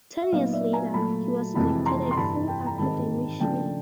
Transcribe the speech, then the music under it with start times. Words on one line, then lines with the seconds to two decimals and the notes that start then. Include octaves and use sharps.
Ten years later, he was elected a full academician.
0.22 E5
0.32 A#2 F#3 B3 D#4 D#5 F5
0.53 D5 E5
0.73 G#5 A#5
0.94 A#2 F#3 A3 A5 B5
1.55 F2 C3 E3 G#3 A5 B5
1.86 A#5 C6
2.11 C6
2.17 G2 E3 G3 A5 B5
2.48 G5 A5
2.67 A#5
2.78 G#2 D#3 G#3 C4 D#4 A5 B5
3.40 C#3 F3 A3 D4 F4 G5 A5